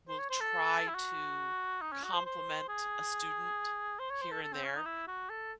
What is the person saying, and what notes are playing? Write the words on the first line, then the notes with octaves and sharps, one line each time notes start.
will try to compliment a student here and there,
C5
C#5
C5
A4
E4
F#4
D#4
C#4
F#4
C5
C5
G#4
C5
C#5
C5
A4
A4
C4
C#4
D#4
E4
F#4
A4